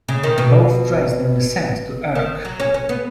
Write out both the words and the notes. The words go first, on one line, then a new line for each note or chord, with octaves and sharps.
Both trace their descent to Ercc.
C#3
D#3
B2
D#3
F#3
C#4
C#4
B3